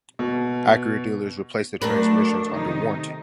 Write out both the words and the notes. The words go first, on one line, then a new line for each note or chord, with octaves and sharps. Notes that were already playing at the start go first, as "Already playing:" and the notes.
Acura dealers replace the transmissions under warranty.
B2
F#3 A3 D4 A#4 B4
C3 D#3 D#4